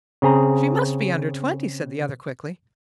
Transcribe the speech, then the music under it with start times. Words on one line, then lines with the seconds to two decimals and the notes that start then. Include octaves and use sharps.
"She must be under twenty," said the other, quickly.
0.22 C#3 C4 G#4 A#5